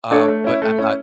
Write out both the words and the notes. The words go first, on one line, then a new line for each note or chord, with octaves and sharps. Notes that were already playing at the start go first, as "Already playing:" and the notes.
um, but I'm not
A3 D4 A4 C#5
A3
C#4 E4
A3
C#4 E4